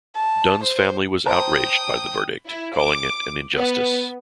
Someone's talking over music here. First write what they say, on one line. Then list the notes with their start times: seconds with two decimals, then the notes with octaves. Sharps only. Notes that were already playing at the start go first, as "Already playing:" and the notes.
Dunne's family was outraged by the verdict, calling it an "injustice".
0.16 A5
0.63 C5
1.26 C5 G5 A5 A#5 D#6
2.47 E4
2.76 D6
3.55 B3